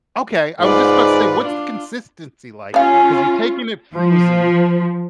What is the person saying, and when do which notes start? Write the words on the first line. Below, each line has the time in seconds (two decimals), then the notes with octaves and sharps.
Okay, I was just about to say, what's the consistency like? Cause you're taking it frozen
0.60 G#2 F4 B4 D5
1.43 D4 F4
2.74 G3 C#4 F4 F5 G#5
3.94 F3